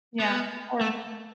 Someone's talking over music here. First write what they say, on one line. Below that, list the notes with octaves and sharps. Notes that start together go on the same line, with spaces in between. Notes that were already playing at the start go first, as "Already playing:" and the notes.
Yeah or
B3
A3